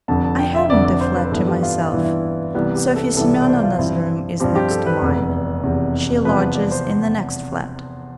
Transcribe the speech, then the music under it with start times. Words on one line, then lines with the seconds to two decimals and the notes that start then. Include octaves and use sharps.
I haven't a flat to myself; Sofya Semyonovna's room is next to mine--she lodges in the next flat.
0.08 F1 F2 D3 A5
0.24 A5
0.38 G5
0.55 E5
0.70 F1 F2 D3 D5
0.85 D5
1.01 C5
1.16 B4
1.32 G2 E3 B3 A4
1.47 G4
1.63 F4
1.78 E4
1.93 G2 E3 B3
2.03 E4
2.55 C2 C3 E3 G3 B3
2.75 G4
2.96 A4
3.16 C2 C3 E3 G3 B3 A4
3.41 D5
3.48 C5
3.63 F4
3.78 G2 F3 C4 E4
4.40 G2 F3 C4 G4
4.56 G4
4.71 A4
4.86 B4
5.01 F1 E2 C3
5.63 F1 E2 C3
6.25 E2 C3 F3 B4
6.41 B4
6.55 D5
6.71 C5